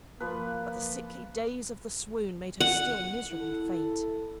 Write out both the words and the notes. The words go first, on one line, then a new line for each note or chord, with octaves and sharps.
But the sickly daze of the swoon made her still miserably faint.
F3 A#3 B4
F#5
E4 A4